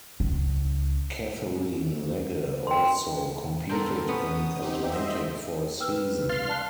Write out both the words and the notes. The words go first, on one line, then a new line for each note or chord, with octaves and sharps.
Katherine Legge also competed in Atlantic for a season.
C#2
G5 C6
D3 B3 C4 A4 A#4
B3 C#4 D#6
C4 D#4 G4
C5 D#5 E5
B4 G5 E6 F6
F5 C6 F6 A6
D5 A5 F#6